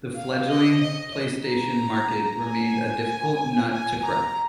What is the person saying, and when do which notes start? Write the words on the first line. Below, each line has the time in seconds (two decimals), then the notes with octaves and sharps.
The fledgling PlayStation market remained a difficult nut to crack.
0.17 F5
0.49 D#5
0.81 D#5
1.46 A#5
2.43 G#5
3.72 G#5
4.05 A#5